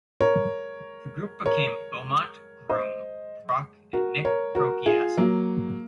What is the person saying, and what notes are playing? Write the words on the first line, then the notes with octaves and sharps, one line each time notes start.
The group became Beaumont, Groom, Proch, and Nick Pociask.
A#4 C#5
A#4 C#5
C5 D#5
F#4 A#4
A#4 C#5
F#4 A#4
F4 G#4
F#3 A#3